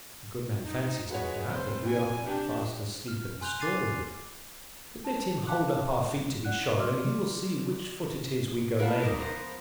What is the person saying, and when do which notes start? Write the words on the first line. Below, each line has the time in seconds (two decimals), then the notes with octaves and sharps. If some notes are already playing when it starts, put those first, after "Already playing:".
The good man fancies, no doubt, that we are fast asleep in the straw here, but let him hold up our feet to be shod and he will see which foot it is we go lame on.
0.65 D#4
1.10 G#3 F#4 B4 C#5
1.50 F1 C5
1.86 G#5
2.26 D4 G4
3.08 F6
3.41 G#5 C6 F#6 G6 F7 G7
3.60 D6 A6 C7 D#7
5.05 A5
5.47 F5 G5 A5 D6 F#6
6.45 D5 F#5 F#6
6.76 F#4 D5 C6 D6 E6 F6
8.79 A#4 B4 F5 F#5 A5
9.02 D#4 G4 A#4
9.18 F3 B3 A#4 C5